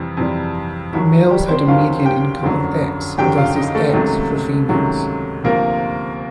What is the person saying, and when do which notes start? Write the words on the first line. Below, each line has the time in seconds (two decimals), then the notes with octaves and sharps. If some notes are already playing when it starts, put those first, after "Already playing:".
Males had a median income of X versus X for females.
Already playing: F2 C3 E3 G3
0.17 F2 C3 E3 G3
0.92 D#2 D#3 F#3 E4
1.30 G3 G4
1.48 C4 C5
1.67 D#2 D#3 F#3 F4 F5
2.05 G4 G5
2.43 F#1 F2 D3 F#3
3.18 F#1 F2 D3 F#3 G4 G5
3.38 F4 F5
3.55 D#4 D#5
3.75 A3 A4
3.93 C#2 C3 D#3 F#3
4.69 C#2 C3 D#3 F#3
5.44 D2 C3 F3 A#3 A#4